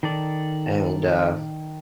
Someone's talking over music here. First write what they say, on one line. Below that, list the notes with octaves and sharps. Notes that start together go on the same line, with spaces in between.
and, uh,
D#3 A4 D5